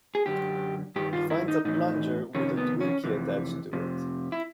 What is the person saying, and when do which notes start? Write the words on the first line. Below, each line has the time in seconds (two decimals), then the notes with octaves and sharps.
He finds a plunger with a Twinkie attached to it.
0.15 G#4
0.26 F#2 D3 G4
0.96 G2 D#3 G4
1.13 F4
1.30 E4
1.48 D#4
1.65 A2 E3 D#4
2.35 F2 C3 D#3 C#4
2.57 B3
2.80 C#4
3.04 F2 C3 E3
3.73 F2 C3
4.32 E4